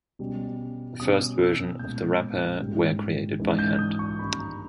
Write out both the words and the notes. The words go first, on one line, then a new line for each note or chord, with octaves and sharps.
The first versions of the wrapper were created by hand.
B2 G3 C#4
B2 G3 C#4 D#6
E6
A#2 G#3 B3 G6
G#2 G3 A#3 C#4
G#2 E3 G#3 C#4
G6
D#6
C#6
G2 D#3 A#3 C#4 B5
A#5